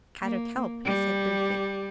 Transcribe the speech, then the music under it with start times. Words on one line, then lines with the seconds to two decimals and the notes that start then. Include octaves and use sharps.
"Kadok help," he said briefly.
0.21 A#3
0.84 G3